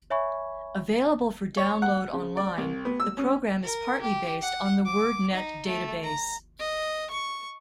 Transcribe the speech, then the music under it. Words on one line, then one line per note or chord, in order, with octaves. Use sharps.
Available for download online, the program is partly based on the WordNet database.
C#5 E5 G#5 B5 C#6 G#6
C#5
F#5
C#3
D5
C2
B3
E6
C#4
A#4
G4
F#5
D6
D#4
A3
A#5
D#5
C#6